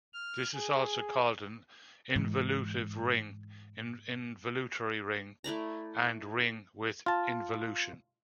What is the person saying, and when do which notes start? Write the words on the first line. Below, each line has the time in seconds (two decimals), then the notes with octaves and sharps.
This is also called an involutive ring, involutory ring, and ring with involution.
0.13 F6
0.55 G#4
2.15 G#2 E3 G#3
5.44 A3 E4 D5 A#5
7.06 F4 A5